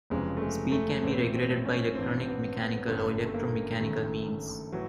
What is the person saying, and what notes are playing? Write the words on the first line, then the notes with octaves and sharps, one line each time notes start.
Speed can be regulated by electronic, mechanical, or electro-mechanical means.
F1 F2 C#3 E3 G#3
A3
G#3
A3
A1 A2 E3 C4
C4
C#4
A1 G2 E3 C4
B3
B3
G1 F#2 D3 A3
A3
A#3
F#1 F#2 D#3 A3
A2 E3 F#3